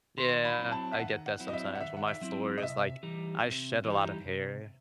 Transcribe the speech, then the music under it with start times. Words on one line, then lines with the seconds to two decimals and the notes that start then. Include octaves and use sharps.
Yeah, I get that sometimes, when my floor is like I shed a lot of hair.
0.18 D#3 C6
0.45 B5
0.58 F#3 C4 E4
0.72 A5
0.92 E5
0.99 D#3 F#5
1.26 F#5
1.40 F#3 C4 E4
1.48 D#5
1.53 E5
1.75 F#5
1.80 D#3 E5
1.97 F#5
2.08 E5
2.21 F#3 C4 E4
2.58 D#5
2.62 C3 E5
3.03 E3 G3 D#4 G4
3.44 C3
3.84 E3 G3 D#4 G4
4.25 C3